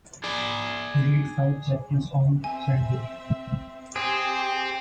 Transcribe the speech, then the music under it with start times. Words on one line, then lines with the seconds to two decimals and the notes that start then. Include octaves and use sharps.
Read five chapters on Sunday.
0.24 G#4 D5
2.44 C4 E5 G#5
3.96 C4 G4 G#4